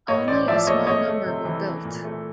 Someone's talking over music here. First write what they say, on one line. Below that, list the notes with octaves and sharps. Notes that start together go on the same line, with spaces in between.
Only a small number were built.
A2 C#5 D#5
A1 C5 D5
F3 D5 E5
A3 C#5 D#5
A3 C#5 D#5
A3
C3
E3
A3
A#2
A3